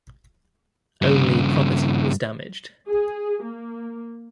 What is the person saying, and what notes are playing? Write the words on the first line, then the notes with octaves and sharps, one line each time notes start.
Only property was damaged.
G2 C#3
G#4
A#3